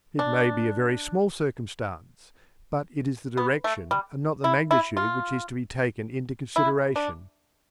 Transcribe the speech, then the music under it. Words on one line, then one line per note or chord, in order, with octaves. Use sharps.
It may be a very small circumstance, but it is the direction and not the magnitude which is to be taken into consideration.
D4
B3
A3
G3
E4
E4
F4
E4
D4